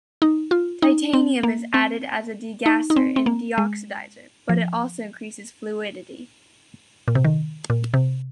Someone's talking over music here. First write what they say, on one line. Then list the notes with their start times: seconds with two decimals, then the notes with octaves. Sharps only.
Titanium is added as a degasser and deoxidizer, but it also increases fluidity.
0.22 D#4
0.51 F4
0.82 D#4
1.13 C4
1.43 A#3
1.74 C4
2.66 D#4
2.90 D#4
2.96 C4
3.16 C4
3.26 A#3
3.58 G#3
4.49 F3
7.08 A#2
7.15 C3
7.24 D#3
7.70 A#2
7.94 C3